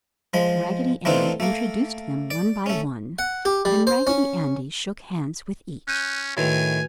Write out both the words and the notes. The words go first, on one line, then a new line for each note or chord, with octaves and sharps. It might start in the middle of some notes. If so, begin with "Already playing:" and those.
Raggedy Ann introduced them one by one and Raggedy Andy shook hands with each.
F3 G#3 B5
E3 A3 C4 D4 D#4 F4
A3 A#3
D5
A3 C#4
F#5
G4
G3
C5
C#4
C#4 F#6 G6 D#7
A2 D#3 F#4 B4 G#5 F7